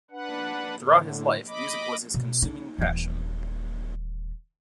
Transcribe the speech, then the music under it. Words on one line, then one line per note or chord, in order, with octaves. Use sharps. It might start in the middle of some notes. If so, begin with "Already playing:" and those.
Throughout his life, music was his consuming passion.
D4 B4 F#5
A2 D3
D#5 B5 D6
B2
D#4
D#1 E3